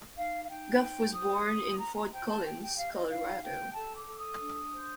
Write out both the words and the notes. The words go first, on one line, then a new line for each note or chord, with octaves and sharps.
Goff was born in Fort Collins, Colorado.
D#4 F5
F5
D#4 G5
C5
C5 D#6
F4
F4 A#5
A#5
C5 G5
A5
G4 G5
G5
G4 F5
D#5
D#4 F5
G4 G5
A4 A5
D6
A4
D#6
D4
C5